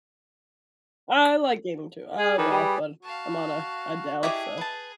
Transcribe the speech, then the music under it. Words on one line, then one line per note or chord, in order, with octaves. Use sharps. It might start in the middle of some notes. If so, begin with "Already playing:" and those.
I like gaming too, uh well, but I'm on a a Dell, so
G#4
D#3 G#4 B4 D5
G3
F#4 F5 A5
D4 E4 G4 G#4 D#5 E5 D6
B4 A5